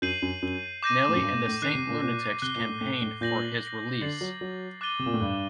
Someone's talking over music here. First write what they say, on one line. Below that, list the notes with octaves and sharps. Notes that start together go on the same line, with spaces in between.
Nelly and the Saint Lunatics campaigned for his release.
F#2 G6 C7 D#7 F#7
F#2
F#2
D6 G6 A#6 D#7
A2
F#2
G2
A2
A2
D#3 F#6 C7 D#7
C3
A#2
A#2
C3 F#6 C7 G7
A#2
A2
A2
A2
A#2 G6 A#6 F#7
D3 A6 C7 F#7
F#3
F#3
D6 F#6 A6 D#7 G7
C3
A#2
A2
G2